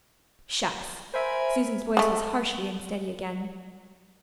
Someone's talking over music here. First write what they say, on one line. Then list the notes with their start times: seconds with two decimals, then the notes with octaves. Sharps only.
"Shucks!" Susan's voice was harshly unsteady again.
1.14 A#4 C5 E5 G#5 B5
1.97 G#3 A3